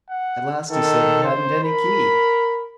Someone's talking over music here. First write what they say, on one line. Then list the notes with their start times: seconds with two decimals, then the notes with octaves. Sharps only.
At last he said he hadn't any key.
0.10 F#5
0.71 D#3 A4
1.23 C5
1.64 A#4 B5